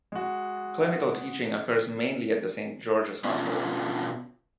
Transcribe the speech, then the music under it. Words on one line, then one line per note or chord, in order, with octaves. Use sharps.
Clinical teaching occurs mainly at the Saint George's Hospital.
G#3 F#4
B2 B3 C#4 D4 F4